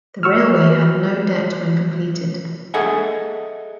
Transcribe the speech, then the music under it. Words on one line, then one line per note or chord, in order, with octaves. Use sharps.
The railway had no debt when completed.
F#4 C#6 E6 F6
G#4 A4 D#5 E5 F#5 G#5